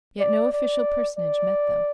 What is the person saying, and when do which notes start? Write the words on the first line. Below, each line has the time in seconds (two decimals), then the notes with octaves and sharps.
Yet no official personage met them.
0.20 D5
0.53 D5
1.17 D5